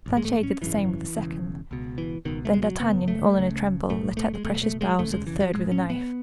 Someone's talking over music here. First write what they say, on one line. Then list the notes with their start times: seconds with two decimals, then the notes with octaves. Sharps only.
Planchet did the same with the second; then D'Artagnan, all in a tremble, let out the precious bowels of the third with a knife.
0.06 A1 G#2
0.17 G#3
0.25 A3
0.43 C#4
0.61 G#1 F#2 C#3 E3
1.16 E1 E2 C#3
1.71 C#2 B2
1.98 E3
2.25 C#2 B2 D#3
2.45 A3
2.53 G#3
2.62 F#3
2.80 G#1 F#2 C#3 B3
3.08 A3
3.35 C#2 C#3
3.89 B1 A2 A3
4.17 A3
4.34 G#3
4.44 E2 B2 A3
4.49 F#1
4.63 A3
4.81 G#3
4.98 E1 D#2 C#3 A3
5.12 G#3
5.27 E3
5.40 F#3
5.54 A1 A2 G#3
5.72 C#4
5.90 B3